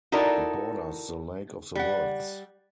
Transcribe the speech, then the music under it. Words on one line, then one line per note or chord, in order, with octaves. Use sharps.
It borders the Lake of the Woods.
D#4 E4 F#4 A4 A#4 D5
G3 F#5